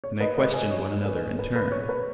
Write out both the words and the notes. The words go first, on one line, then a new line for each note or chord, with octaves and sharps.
And they questioned one another in turn.
C#5
B4 D#5
B4 D#5
D#5 G#5
C#5
B4
B4
B4
C#5
B4